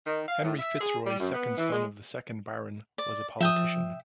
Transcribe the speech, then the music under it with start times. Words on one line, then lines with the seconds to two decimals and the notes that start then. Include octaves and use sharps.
Henry FitzRoy, second son of the second Baron, was a politician.
0.07 D#3
0.28 F5
0.43 A2
0.59 E5
0.81 G#4
1.06 G3
1.20 F#2
1.34 B3
1.58 E3
1.72 G#3
2.98 D5
3.41 F3 E5 G5 D#6